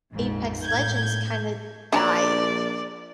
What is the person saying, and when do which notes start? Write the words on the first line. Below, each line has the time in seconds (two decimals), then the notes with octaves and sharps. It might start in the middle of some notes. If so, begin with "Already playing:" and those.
Apex Legends, kinda, died
0.12 A#1 F2 G#2
0.63 A2 G6 G#6
1.92 A#1 D4 D5 A5 A#5